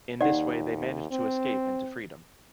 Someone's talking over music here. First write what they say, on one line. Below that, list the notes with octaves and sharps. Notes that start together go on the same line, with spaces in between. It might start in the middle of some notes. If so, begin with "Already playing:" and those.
In this way they managed to escape into freedom.
D#2 D#4 D5 F#5
C4